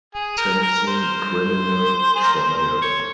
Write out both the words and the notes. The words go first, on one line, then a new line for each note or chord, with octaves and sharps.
Simpson criminal trial.
G#4
A#4
A#4
C5
G#4
A#4
C5
C5
C#5